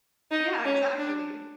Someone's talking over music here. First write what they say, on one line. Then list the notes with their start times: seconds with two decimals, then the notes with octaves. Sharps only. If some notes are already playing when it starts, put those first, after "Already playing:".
Yeah, exactly.
0.31 D#4
0.65 C#4
0.99 D4